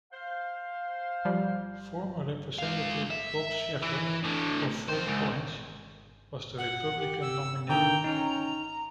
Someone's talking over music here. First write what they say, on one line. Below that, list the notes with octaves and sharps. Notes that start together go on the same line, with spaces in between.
Former Representative Bob Schaffer of Fort Collins was the Republican nominee.
C5 F5
F3 G3
G#3 F5
E5
E3
A2 D3
F2 C5
C#2
F#5
G4
E6
D3 D#3 G5 A#5
C#4 D#4